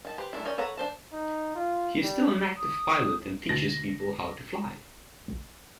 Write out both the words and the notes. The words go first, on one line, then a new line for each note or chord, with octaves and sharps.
He is still an active pilot and teaches people how to fly.
D#3 A5
G4 B4 C5
G3 A3 D4 E4
C#4 A#4 C#5 D5 G5
A4 B4 C#5 F#5 A#5
D4 C5 A5
D#4
F4
G3
D#6
D2 B2 A5 A#6